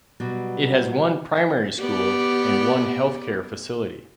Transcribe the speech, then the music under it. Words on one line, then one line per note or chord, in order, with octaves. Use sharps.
It has one primary school and one healthcare facility.
B2 F#3 G3
B3 G4 D5